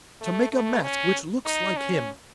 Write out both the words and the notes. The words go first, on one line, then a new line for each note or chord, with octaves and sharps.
To make a mask which looks like him!
A3
A3
C#4
D#4
C#4